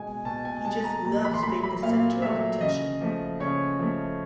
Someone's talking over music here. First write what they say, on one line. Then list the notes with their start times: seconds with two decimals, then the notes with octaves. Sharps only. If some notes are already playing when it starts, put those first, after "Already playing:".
He just loves being the center of attention.
Already playing: B2 G#3 G#5
0.25 B2 A5
0.45 G#5
0.65 G#3 A5
0.84 A#5
1.04 A#2 A#5
1.24 B5
1.34 C6
1.43 F#3 A3 B5
1.63 B5
1.83 A#2 F5
2.22 F#3 A3 E5
2.61 C#3 D#5
3.01 F3 A3
3.40 C#3 C#5
3.79 F3 A3